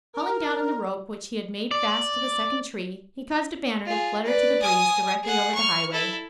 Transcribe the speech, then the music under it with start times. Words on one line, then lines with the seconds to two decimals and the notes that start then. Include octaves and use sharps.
Hauling down on the rope which he had made fast to the second tree, he caused a banner to flutter to the breeze directly over the highway.
0.14 A#4
1.71 D5
3.85 F4 G#4
4.24 B4 D5
4.62 G#5 D#6
5.23 G#4 F#5
5.55 C#6 F6
5.92 E4 A4